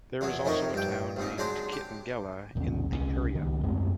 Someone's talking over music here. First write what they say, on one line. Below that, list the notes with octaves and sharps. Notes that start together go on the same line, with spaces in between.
There is also a town named Kitengela in the area.
E2 B2 F#3
F2 A2 D#3 D#4 A#4 C#6
G2 G5
C2 A#2 D#4
F#3 G#3 D4 C5
G4
G#1 D#2 C#4
C2 E3 C#4
C#2 D#3
F#2 G#3 A3 C4